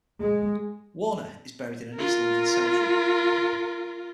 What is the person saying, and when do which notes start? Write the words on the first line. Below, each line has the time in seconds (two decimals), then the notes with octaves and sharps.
Warner is buried in East London Cemetery.
0.20 G#3
1.95 F4 A#4